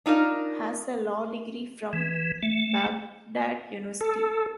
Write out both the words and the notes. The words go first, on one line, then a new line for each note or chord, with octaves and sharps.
Has a law degree from Baghdad University.
D4 D#4 F4 A#4
E3
A3
A4